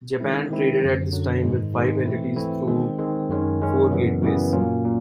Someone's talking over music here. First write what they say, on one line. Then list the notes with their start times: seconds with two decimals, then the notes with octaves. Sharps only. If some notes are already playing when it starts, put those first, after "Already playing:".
Japan traded at this time with five entities, through four "gateways".
0.20 D#3 G#3 C4 E4
0.50 D#3 G#3 C4 E4
0.81 F#2 D3 F#3
1.12 F#2 D3 F#3
1.44 G#2 D#3 G#3
1.74 G#2 D#3 G#3
2.05 E3 A3 C4 E4
2.36 E3 A3 C4 E4
2.67 D#3 G#3 C4
2.99 D#3 G#3 C4
3.29 F#2 D#3 G#3 C#4
3.60 F#2 D#3 G#3 C#4
3.91 F#2 C#3 E3 G3 B3
4.22 F#2 C#3 E3 G3 B3
4.53 A#2 F#3 A#3 C#4 F4
4.84 A#2